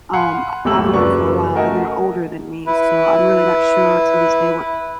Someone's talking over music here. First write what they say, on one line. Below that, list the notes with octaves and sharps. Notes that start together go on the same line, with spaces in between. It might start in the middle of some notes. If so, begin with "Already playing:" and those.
um, I I've known for a while, and they're older than me so I'm really not sure till this day what
F5 F#5 G#5 B5 C6
D#1 G#1 D#2 A3 E6 F#7
F#2 C#3 A#4 B4 D5 C#6
A3 F#4 A#4 D#5 G#5
E4 B4